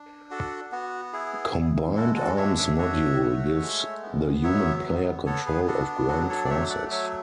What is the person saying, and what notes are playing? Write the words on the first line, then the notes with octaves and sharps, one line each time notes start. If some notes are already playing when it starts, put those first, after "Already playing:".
Combined Arms module gives the human player control of ground forces.
Already playing: D4
F#4 A4
B3 F#4
E4 G#4
E4
G#3 F#4 A4
F#4 A4
D4 C#5 E5
C#5 E5
F#4 C#5 E5
A3
G#3
B3
F#3 C#5 E5
B3
B3 A4 C#5
G#4 B4
D4 F#4 A4
F#3 F#4 A4
A4 C#5
D5
A3 C#5 E5
D5 F#5
F#3 C#5 E5